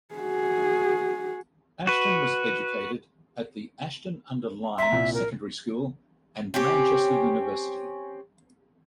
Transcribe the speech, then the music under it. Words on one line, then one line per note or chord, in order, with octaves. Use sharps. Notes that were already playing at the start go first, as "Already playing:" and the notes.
Ashton was educated at the Ashton-under-Lyne secondary school and Manchester University.
F#4 G#4
F#4 B4
E5 A#5 C6
C2 A#2
A#4
C4 C#4 G4